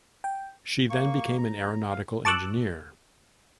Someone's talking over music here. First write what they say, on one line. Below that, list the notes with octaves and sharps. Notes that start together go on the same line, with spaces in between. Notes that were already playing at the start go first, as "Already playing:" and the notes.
She then became an aeronautical engineer.
G5
A#3 C#6
A#5
F5
A5 C#6 D6 E6 F#6